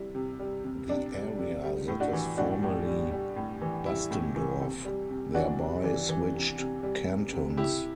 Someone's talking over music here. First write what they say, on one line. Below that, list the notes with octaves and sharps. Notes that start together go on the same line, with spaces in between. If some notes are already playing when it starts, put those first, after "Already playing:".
The area that was formerly Bastendorf thereby switched cantons.
Already playing: C3 G3 E4
C3
G3
C3
C3 D4
G3
C3
G3
A2
D4 F#4
E3
A2 D4 F#4
A2
G3
G3
A2
E3
G3 E4
A2
E3
C3
G3
C3
E3 D4 F#4
C3
E3
E3
C3
C3
G3
C3
C3
C3 E4 G4